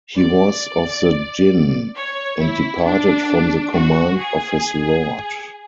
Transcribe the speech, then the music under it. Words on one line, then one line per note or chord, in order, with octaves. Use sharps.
He was of the jinn and departed from the command of his Lord.
D5
C#5
E4
D4
F#4
G#4